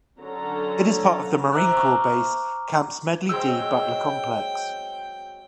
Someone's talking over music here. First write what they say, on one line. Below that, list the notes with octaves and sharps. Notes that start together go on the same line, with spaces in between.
It is part of the Marine Corps Base Camp Smedley D. Butler complex.
D3 F#3 C#4 A4 A#5
C5 E5 A#5 D6 E6 F#6
A#5 C#6 D6 F6
F#3 G#3 C4 C5 G5 E6